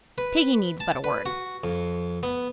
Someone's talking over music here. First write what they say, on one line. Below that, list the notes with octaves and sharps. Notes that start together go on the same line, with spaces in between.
Piggy needs but a word.
B4
A5
B4
F#4
F2
B3